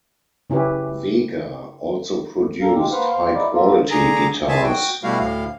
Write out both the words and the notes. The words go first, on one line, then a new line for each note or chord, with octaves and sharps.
Vega also produced high quality guitars.
C#3 C#4 E4 G4 B4
A#2 A4 A#4 F5
G#3 G4
A#3 B4 C5 F5 F#5
C5 F5
D#4 E4 D5
A#3 B3 F4 A4 A#4
D3 G#4 A#5
G#4 E5 G#5 A5
F#4 G5
B2 G3 A3 E4 F#4 F5
D2 A2 F5